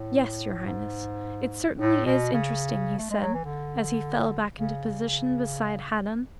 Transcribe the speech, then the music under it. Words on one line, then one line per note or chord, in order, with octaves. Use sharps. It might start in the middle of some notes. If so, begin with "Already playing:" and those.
"Yes, your highness, it certainly is interesting," he said, as he fell back into position beside Haddan.
Already playing: A2
A2
G#2
A2
B2
C#3
A3
G#3
F#3
E3
D3
C#3